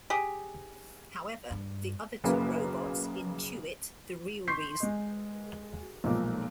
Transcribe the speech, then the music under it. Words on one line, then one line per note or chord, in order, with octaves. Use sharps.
However, the other two robots intuit the real reason.
G4 G#4
G2
F#1 B1 C#3 A#3 B4
C6 C#6 G6 B6 C7
G#3 D#5
B1 A#2 F3 G#3 A#3